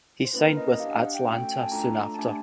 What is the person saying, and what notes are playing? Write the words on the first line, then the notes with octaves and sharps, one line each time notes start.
He signed with Atlanta soon after.
C5
A#3 C#4 E4 B4
A#4
D#5
D#5
D4 G4 F5
F#5
F#5
G5
A3 C#4 F#4 A4 G5
G5
G#5
A5
A3 D4 F4 A4 A#5
A5
A3 D4 G4 G#5